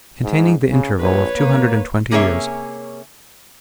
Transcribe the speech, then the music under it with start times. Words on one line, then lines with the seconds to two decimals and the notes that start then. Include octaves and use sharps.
Containing The Interval Of Two Hundred And Twenty Years.
0.23 G#2
0.70 C#3
1.00 A#1 B4 C#5
1.36 A#3
2.11 C3 A#3 C#4 G#4 C#5 E5